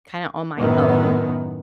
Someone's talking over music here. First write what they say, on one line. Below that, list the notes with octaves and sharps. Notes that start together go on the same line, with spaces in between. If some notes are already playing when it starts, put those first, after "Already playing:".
kinda on my own,
F#2 A2 D#3 B3